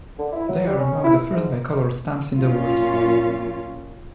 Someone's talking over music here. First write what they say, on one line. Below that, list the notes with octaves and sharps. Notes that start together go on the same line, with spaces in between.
They are among the first bicolor stamps in the world.
D3
E4
F#3
G3
C#4
E4
E4
G#2
F#2 A#2 C#4 F4